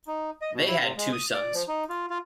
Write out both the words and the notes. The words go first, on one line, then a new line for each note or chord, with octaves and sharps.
They had two sons.
D#4
D#5
B2
E4
C3
G#3
D#6
D5
F3
D#4
F4
F4